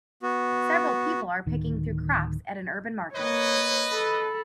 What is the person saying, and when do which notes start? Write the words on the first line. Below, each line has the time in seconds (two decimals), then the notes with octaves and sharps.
Several people are picking through crops at an urban market.
0.23 B3 F#4
1.46 D1 D#3
3.15 A#3 B4 C#5 D#5
3.92 A4 B5